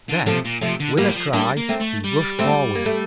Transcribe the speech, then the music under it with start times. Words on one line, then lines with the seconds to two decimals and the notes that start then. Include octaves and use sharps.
Then, with a cry, he rushed forward.
0.09 D3
0.26 C3 F3 A3
0.45 A#2
0.61 C3 F3 A3
0.80 D3
0.97 A2 G3 A#3
1.09 G3
1.15 F3
1.33 G3 A#3 D4
1.57 A#3
1.69 A3 C4
1.80 A3
2.04 G3
2.39 A3 C4
2.75 A#3
2.86 A3